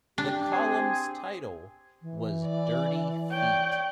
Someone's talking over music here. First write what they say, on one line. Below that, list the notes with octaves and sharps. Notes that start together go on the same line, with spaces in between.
The column's title was Dirty Feet.
D4 G4
C4 G#4
E3
D5
C#5 D5 G5